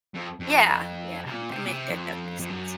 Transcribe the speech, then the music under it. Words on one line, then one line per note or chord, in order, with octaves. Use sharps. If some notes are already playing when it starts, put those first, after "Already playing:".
Yeah, yeah, that mak that does make sense.
F2
F2
C3
A#2
C3
A#2
C3
F2
F2
F#2